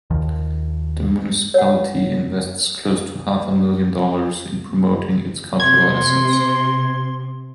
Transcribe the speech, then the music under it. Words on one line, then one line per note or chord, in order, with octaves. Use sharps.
The municipality invests close to half a million dollars in promoting its cultural assets.
D#2 D#3 F3
C#5 F#5
C3 C6 G#6